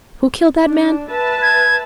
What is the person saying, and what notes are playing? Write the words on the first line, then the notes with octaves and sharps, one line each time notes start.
Who killed that man?
D4
B4 E5 A5
G#6